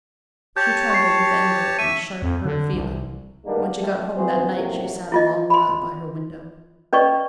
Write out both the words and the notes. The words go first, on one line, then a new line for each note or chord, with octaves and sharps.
She trembled with anger and a sharp, hurt feeling. When she got home that night she sat a long while by her window.
G4 C#5 A5 G6
C#6 C7
E5 C#6 E6 D#7
F2
D3
C2
D#3 G3 G#3 A#3 B3 D4
G3 A3
C#2 E3 C4 F#4 G#4 C5
C2 A2 C3 F#3 A#3
E4 F4 D#5
B5 C6
C#4 B4 D5 D#5 C#6